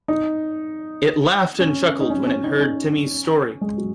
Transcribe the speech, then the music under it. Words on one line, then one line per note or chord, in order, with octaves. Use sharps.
It laughed and chuckled when it heard Timmy's story.
D#4
C#4
D#4
C#4
C#4
D#4
C#4
G#3
F#3